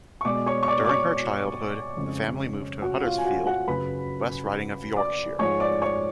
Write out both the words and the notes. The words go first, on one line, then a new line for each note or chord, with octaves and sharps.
During her childhood the family moved to Huddersfield, West Riding of Yorkshire.
C#6
B2 G#3 D5 D6
C#5 C#6
C#6
D5 D6
D6
C#5 C#6
F2 C#3 G#3
F#4 F#5
F4 F5
G#5
F#4 F#5
F#4 F#5
F#2 C#3 F#3 B4 B5
D5 D6
G#2 F3 G#3 C#5 C#6
D5 D6
C#5 C#6